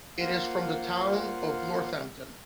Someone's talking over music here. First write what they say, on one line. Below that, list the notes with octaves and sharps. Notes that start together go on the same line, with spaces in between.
It is from the town of Northampton.
A#3 F4 C5 F5 F#5